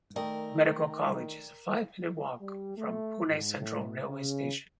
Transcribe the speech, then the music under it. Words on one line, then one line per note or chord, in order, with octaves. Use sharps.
Medical College is a five-minute walk from Pune central railway station.
D#3 A3 A#4 D5 G5 D#6
G3
A3
G#2
A2
C#3